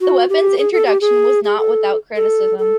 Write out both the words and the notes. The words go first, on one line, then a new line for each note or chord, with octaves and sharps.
The weapon's introduction was not without criticism.
F#4
G4
G#4
A4
G4
G#4
G#4
A4
A4
A4